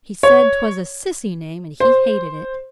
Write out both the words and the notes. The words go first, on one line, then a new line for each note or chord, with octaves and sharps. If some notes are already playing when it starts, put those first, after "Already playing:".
He said 'twas a sissy name, and he hated it.
C#5
C5